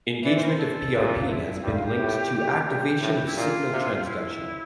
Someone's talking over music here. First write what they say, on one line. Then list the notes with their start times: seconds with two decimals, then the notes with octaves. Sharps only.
Engagement of PrP has been linked to activation of signal transduction.
0.23 E3 D5
0.35 C5
0.42 A#4
0.46 C5
0.58 A4
0.93 A#2
1.20 F4
1.28 E4
1.62 G2 G4
1.73 F4
1.86 G4
1.97 A2
2.66 G2 G4
3.01 A2
3.26 E4
3.35 A#2 F4
3.71 C3
4.05 E4